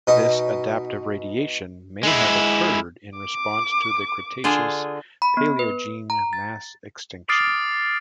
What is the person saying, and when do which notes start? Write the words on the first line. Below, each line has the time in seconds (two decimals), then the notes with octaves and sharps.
This adaptive radiation may have occurred in response to the Cretaceous-Paleogene mass extinction.
0.07 B2 D#4
2.03 G#3 E4
3.19 D6
4.44 D3 F4 G#4
5.22 B5
5.37 B3
5.59 B4
6.10 A#5
6.33 A6
7.29 D6 D#6 F6 A6 C7 D7